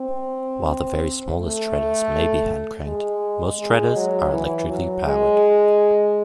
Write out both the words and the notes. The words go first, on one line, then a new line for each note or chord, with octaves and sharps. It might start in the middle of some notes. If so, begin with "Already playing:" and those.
While the very smallest shredders may be hand-cranked, most shredders are electrically powered.
Already playing: C4
A3
G#3
G#3
F#3
E3
F#3
G#3